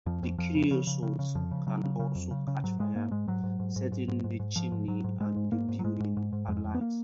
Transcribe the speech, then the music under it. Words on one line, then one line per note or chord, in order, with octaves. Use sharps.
The creosote can also catch fire, setting the chimney and the building alight.
F2 F3
F2
F2 F3
C#3
C#3
C#3
C#3
C#3
F2 F3
C#3
C#3 F#3
C#3
C#3
F2
C#3
C#3
G#2 F#3
G#2 G#3
G#2 A#3
G#2 G#3
G#2 F#3
G#2
G#2
G#2
G#2
G#2
G#2
G#2
G#2 F3
G#2
G#2 F#3
G#2
G#2 G#3
G#2
G#2 A#3
G#2
F#3
G#2 G#3
G#2
G#2
G#2
F2 G#3
F2
B3
A#3